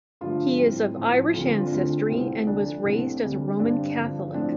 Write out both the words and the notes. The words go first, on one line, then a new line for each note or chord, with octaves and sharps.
He is of Irish ancestry and was raised as a Roman Catholic.
G2 D3 F3 A3 F4
A2 G3 C4
A2 F3 C4
D2 D3 G3 C4 F4
F4
F4
D4
D2 D3 A3 C4 F4
C2 C3 A3 C4
D2 D3 F3 D4
C2 C3 A3 C4
D2 D3 G3 C4
G2 D3 G3 C4 D4
G2 D3 F3
A2 F3 A3 C4 D4